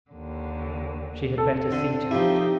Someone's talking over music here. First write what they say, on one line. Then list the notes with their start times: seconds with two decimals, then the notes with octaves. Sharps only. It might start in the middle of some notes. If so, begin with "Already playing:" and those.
She had better see to it.
0.11 D#2 D3
1.38 C4 A4
1.72 D3
2.11 F3 D#4 E4 G4